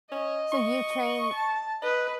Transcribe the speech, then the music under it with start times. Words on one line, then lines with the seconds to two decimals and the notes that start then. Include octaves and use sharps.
So, you train
0.12 C#4 D#5
0.52 C#6
1.33 A5
1.82 B4 D#5